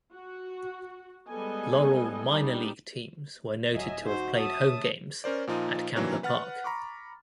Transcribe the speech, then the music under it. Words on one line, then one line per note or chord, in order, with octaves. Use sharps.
Laurel minor league teams were noted to have played home games at Kamper Park.
F#4
G3 G#3 B3 A4 D#5 G#5
G3 B3 D4 D#4 G4
D#1 F#3 D#5 E5 G#5
D#4 F#4 C5
C#5 E5 A5 D#6
C#4 A#4 C5 D5
A#2 F3 D#4 F4
C3 D#3 E3 F#3 A#3 D4
B4 F#5 F6 A6
A#5 B5 C#6 D6